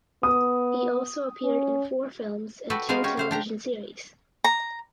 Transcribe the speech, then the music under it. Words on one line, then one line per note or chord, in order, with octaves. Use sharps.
He also appeared in four films and two television series.
B3 D#6
C#4
F#4 A4 B4 D5 G5
G#3 B3 A#4 C5 D5 F5
C#4 F#4 G4
C#3 C5 F5
D4 G4 A#5
A#5